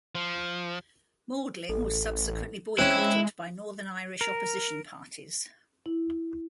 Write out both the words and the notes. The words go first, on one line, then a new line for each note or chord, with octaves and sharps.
Maudling was subsequently boycotted by Northern Irish opposition parties.
F3
A1 A4
G#3 C4 C#4 E4 F#6
A#4
E4